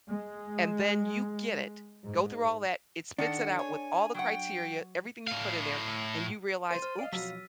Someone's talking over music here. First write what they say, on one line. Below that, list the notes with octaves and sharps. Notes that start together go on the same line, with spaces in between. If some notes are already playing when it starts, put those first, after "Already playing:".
and then you get it. Go through all that, it spits it out with all the criteria, everything you put in there, and you realize, 'Oops,
G#3
G#2
D#3 D4 A4 F#5
C#5 G#5
F#3 F#5 G5
A2 F5
C2 C5 C6 A6 D#7
C5 F6
D5 D#5 F5
C2 F2 B2 F#3 E6 B6